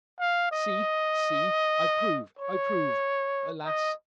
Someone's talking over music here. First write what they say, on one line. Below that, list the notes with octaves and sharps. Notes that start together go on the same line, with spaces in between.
'See! see! I prove; I prove.' Alas!
F5
D#5
C#5
D#5